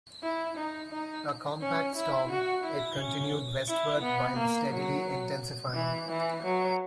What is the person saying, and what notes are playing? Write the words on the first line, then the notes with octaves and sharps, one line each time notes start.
A compact storm, it continued westward while steadily intensifying.
E4
D#4
D#4
C#4
E4
F#4
E4
C#4
E4
B3
A#3
F#3
E3
E3
F#3